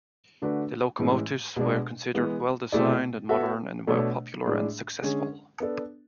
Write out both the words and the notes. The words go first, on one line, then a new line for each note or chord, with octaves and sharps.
The locomotives were considered well designed and modern, and were popular and successful.
D3 A3 D4 F#4 B4
A2 E3 G#3 C#4
B2 G#3 D4
E3 G#3 B3
B2 A3 E4 G#4 D5
B3 F#4 A4 E5
B2 A3 D4 A4 C#5
A2 G#3 D4 G#4
D3 G#3 C#4 G#4
B3 D4 A4 D5